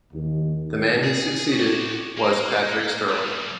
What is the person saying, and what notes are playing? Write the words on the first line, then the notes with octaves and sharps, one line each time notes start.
The man he succeeded was Patrick Stirling.
D#2
G#4
F#4 G4
A#3
G3 A#3